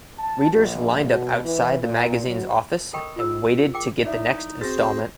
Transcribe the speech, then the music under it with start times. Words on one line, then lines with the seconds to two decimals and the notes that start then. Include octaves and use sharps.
Readers lined up outside the magazine's offices, waiting to get the next instalment.
0.19 A5
0.52 A#1
1.09 B2
1.45 E3
1.81 A#2
2.28 F#3
2.93 A4 A#4 D#5 G5 B5 C#6
3.16 F4 E6
3.74 G#4 A#4 G5 D6
4.04 D#4 E4 D5 E5
4.61 C4 F#4 G#4 C5 A6 A#6